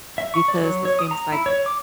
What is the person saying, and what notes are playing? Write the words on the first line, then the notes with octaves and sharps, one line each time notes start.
because it seems like
E5
C#6
D5
F#3
C#5
D#6
A#5
E4
C#5
D6